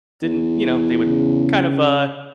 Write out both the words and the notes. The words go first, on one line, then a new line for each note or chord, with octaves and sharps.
didn't, you know, they would kind of, uh,
E2
C#3